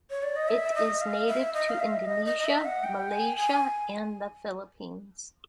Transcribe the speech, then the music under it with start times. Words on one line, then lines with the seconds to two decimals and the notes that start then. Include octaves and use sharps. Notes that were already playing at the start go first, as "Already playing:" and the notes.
It is native to Indonesia, Malaysia, and the Philippines.
0.10 C#5
0.23 D5
0.36 D#5
0.48 E5
0.75 D#5
1.01 F5
1.27 E5
1.53 D#5
1.69 F5
1.80 E5
2.06 D#5
2.26 D#5
2.38 D#5
2.45 E5
2.65 F#5
2.84 G5
3.11 G#5
3.37 G#5